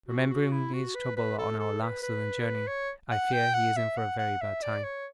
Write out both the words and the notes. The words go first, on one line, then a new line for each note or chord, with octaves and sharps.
Remembering his trouble on our last Southern journey, I fear he is in for a very bad time.
F#4
F#4
E4
F#4
B4
B4
A4
A4
B4
B4
C#5
F#5
G5
F#5
E5
F#5
F#5
E5
D5
C#5